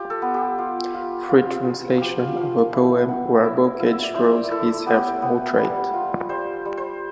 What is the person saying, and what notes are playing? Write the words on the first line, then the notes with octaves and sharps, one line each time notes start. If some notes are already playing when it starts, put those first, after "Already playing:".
Free translation of a poem where Bocage draws his self-portrait.
Already playing: F4 G4
A4
B3
G4
F4
F4
F4
F4
F3 G4
F5
F3 F5
E4
B3
E4
E4 F5
E5
D5
E4 C5
E4 A4
B3 G4
B3
G3
F4
G3 C5
G3
C5